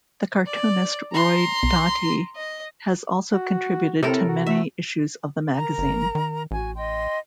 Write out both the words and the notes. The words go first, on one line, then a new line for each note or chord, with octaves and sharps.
The cartoonist Roy Doty has also contributed to many issues of the magazine.
D5
A#5 C6
B1
D#5
F#4
A2 C3 A4 A#4
F#4
A3 E5
A#4 A#5
G1
D#3
A1 F#4 G#5
D#5 G5 C6